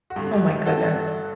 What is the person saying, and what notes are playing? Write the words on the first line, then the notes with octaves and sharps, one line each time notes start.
Oh my goodness.
F#4
G2 D3 G4
G4
G4
F#4 A4
G2 D3